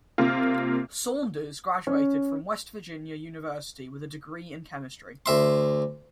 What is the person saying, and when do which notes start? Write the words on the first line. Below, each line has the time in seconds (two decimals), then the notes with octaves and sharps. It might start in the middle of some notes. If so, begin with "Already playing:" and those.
Saunders graduated from West Virginia University with a degree in chemistry.
0.18 C3 A#3 F4
1.87 C#4
5.26 D2 E5 C6